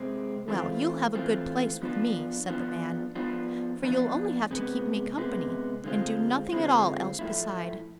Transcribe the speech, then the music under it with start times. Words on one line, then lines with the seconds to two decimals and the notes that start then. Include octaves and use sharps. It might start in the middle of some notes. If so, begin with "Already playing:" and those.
"Well, you'll have a good place with me," said the man; "for you'll only have to keep me company, and do nothing at all else beside."
Already playing: C3 G#3 C4
0.48 E3 A3 C4 F4
1.15 E3 A3 C4 F4
1.82 F3 B3 D4 F4
2.48 F3 B3 D4 F4
3.15 F3 B3 D4 F4
3.83 F3 B3 D4 F4
4.51 C3 G#3 B3
5.17 C3 G#3 B3
5.84 D3 G#3 C4 F4
6.52 D3 G#3 C4 F4
7.19 A2 F3 A3 E4